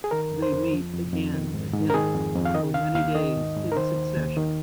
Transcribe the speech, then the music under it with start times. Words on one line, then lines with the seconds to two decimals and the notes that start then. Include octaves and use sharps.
They meet again at dinner, for many days in succession.
0.04 G#4
0.11 D#3 A#4
0.31 F2
0.42 C5
0.52 F2
0.73 F3
0.93 F2
1.13 F2
1.34 D#3
1.54 G#2
1.73 G#2
1.90 A#4
1.94 D#3 G#4
2.15 F2
2.35 F2
2.45 F5
2.54 D#3 D#5
2.74 D#2 F5
2.95 D#2 F5
3.15 D#3 D#5
3.35 G#2
3.56 G#2
3.72 A#4
3.77 D#3 C5
3.96 D#2
4.17 D#2
4.37 D#3